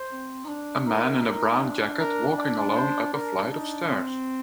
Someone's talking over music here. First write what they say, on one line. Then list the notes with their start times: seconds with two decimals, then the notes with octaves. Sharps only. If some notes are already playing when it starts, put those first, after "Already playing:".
A man in a brown jacket walking alone up a flight of stairs.
Already playing: C5
0.12 C4
0.45 D#4
0.48 D4
0.87 D#4 A#4
1.24 A#4
1.63 D4
2.00 A#4
2.38 D5
2.76 C5
3.14 D4 A#4
3.51 D#4
3.90 C4